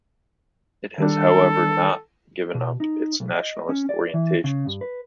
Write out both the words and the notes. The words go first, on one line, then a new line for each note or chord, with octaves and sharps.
It has however not given up its nationalist orientations.
D#3 G3 D4 A4
B2
D#4
B1
D#5
C#4
D5
E3
C#3
G2
B4